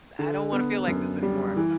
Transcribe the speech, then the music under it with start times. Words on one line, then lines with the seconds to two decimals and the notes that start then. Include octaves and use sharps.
I don't wanna feel like this anymore."
0.19 D3
0.52 B3
0.88 F#2
1.22 G3
1.56 E3